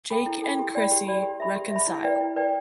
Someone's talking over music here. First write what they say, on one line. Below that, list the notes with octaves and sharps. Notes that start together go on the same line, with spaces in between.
Jake and Chrissie reconcile.
A4 G5 B5
E4
A4 G5 B5
G4
D5 G5 B5
G4
D5 G5 B5
G4
E5 B5
G4
E5 B5
E4
B4 D5 G5
E4
B4 D5 G5